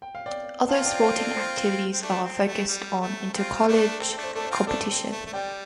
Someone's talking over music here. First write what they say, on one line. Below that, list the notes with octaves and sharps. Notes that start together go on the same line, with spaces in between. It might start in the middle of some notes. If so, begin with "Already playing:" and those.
Other sporting activities are focused on inter-college competition.
G5
F5
D5 G5
C4 F4 F5 A5
D5 G5
C5 F5
A4 D5
C5
C4
A3 D4
C4
A3
G3
A3
C4 F4
A3 D4
C4 A4
C4
A3 D4
C5
A3 D4 A4
C5
C4 F4
A3 D4 A4 D5
D4
C4
A3
A3
G3 D5 G5